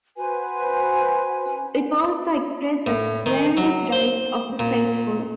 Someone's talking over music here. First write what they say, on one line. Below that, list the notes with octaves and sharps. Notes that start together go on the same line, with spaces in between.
It also expresses various rights of the faithful.
F#4 B4 C5 G#5
A2
D#3
F#3
C5
A#2